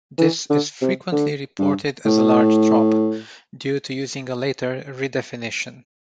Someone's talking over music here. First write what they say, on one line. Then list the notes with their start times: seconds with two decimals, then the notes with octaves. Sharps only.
This is frequently reported as a large drop, due to using a later redefinition.
0.18 E3
0.50 D3
0.82 C3
1.12 D3
1.59 G2
2.05 A2